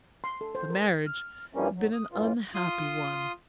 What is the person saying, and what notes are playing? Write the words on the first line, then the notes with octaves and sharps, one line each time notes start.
The marriage had been an unhappy one.
C6
A4
C5
A#4
F6
G2 E3 F3 G3 A#3 C#4
G#2 F#3
D#6
F#2 A2 E3 F4
F4 C6 D#6